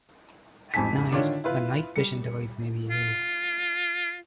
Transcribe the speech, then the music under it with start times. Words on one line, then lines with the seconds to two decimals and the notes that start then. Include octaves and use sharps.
At night, a night-vision device may be used.
0.74 A1 F2 G#2 G#5 A5 B6
1.11 D3 D#3 D4 F4 C#5
1.44 E4 F4 B4
1.96 G3 C#7
2.91 F4